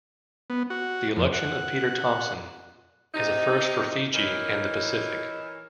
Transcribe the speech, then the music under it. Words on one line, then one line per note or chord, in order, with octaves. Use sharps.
The election of Peter Thomson is a first for Fiji and the Pacific.
B3
F#4
F2
F#5
C3 D#4
E3 D#4 A#4 C#5 D#5